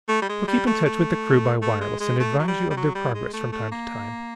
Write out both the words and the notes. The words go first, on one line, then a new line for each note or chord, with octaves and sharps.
I shall keep in touch with the crew by wireless, and advise you of their progress from time to time.
A3
G3
G#3
G3
A3
A3
A3
G#3
G#3
A3
F#3
G3
G3
F#3
G3
G#3
A3
A3
A#3